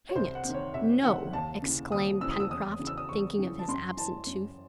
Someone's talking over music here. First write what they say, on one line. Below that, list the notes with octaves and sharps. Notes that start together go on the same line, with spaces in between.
"Hang it, no!" exclaimed Pencroft, thinking of his absent tooth.
C#5
C2 C5
F#5
C3 D#3
C#5
C2 E5
C3 D#3 F#5
D#2 A5
C#3 E3
D#2 D#6
C#3 E3 E6
D#6
E6
E2 D#6
C#3 E3
E6
D#6
E2 C#6
C#3 E3
A5
F#2 C6
E3 A5
F#2